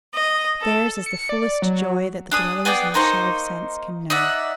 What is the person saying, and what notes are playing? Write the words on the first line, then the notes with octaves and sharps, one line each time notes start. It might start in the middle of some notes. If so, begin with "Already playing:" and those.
Theirs is the fullest joy that the dwellers in the shell of sense can know.
D#5
A4
C#7
D5
F#3
D4 G#4 D#6
B3 G#4 D5 G5
A#3 D#4 C5 C#6
D#4 D5 E5 F#5